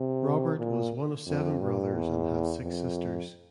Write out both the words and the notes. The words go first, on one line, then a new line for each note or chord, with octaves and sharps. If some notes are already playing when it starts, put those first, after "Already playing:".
Robert was one of seven brothers and had six sisters.
Already playing: C3
A#2
F2
G2
E2
F2